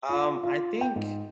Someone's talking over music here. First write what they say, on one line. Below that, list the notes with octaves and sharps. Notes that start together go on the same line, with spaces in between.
Um, I think
F4
F4
G5
G#2